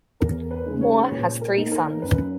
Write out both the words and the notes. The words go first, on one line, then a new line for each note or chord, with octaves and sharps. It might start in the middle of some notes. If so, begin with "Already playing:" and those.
Moore has three sons.
E2 A#4
B4
C#3 G#3 D#4
C#5
A#2 B4
A#4
A#3 D#4
A#4
F#2 B4